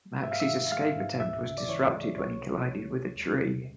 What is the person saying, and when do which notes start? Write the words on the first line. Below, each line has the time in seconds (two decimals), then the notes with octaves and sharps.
Maxie's escape attempt was disrupted when he collided with a tree.
0.23 G#2 E5
0.32 F5
0.40 E5
0.48 D#3
0.72 G#3 F5
0.96 G#2
1.20 D2 E5
1.45 C#3
1.58 D5
1.69 E3 C#5
1.94 G#3
2.18 C2 C#5
2.42 C3
2.66 F3
2.90 G#3
3.16 D#2
3.40 C#3